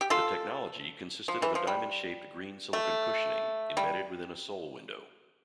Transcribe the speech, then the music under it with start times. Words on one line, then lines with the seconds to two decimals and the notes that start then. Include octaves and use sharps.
The technology consisted of diamond-shaped green silicon cushioning embedded within a sole window.
0.01 G4
0.10 F4 A4
1.28 F3
1.42 E3
1.55 F3
1.67 G3
2.73 A3
3.77 G3